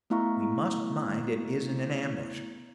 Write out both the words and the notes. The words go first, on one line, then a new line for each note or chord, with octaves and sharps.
We must mind it isn't an ambush.
A3 B3 E4 F5 A#5 C#6